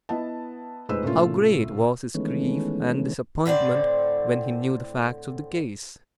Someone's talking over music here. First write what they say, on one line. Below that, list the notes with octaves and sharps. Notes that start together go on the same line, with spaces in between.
How great was his grief and disappointment when he knew the facts of the case!
B3 E4 B4 D#5 A5
F1 G#3 D#4 B4 C5 E6
A2 C3 A3 A#3 C#4 F4
D#3 E3 G#3 A3 B3 C#4
A2 D3 C4 D5